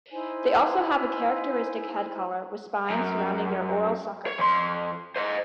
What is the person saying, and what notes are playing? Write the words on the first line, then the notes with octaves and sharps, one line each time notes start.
They also have a characteristic head collar with spines surrounding their oral sucker.
D#4 E4 C5 G#5
F#2
C#5
F2 C6
C5 D#5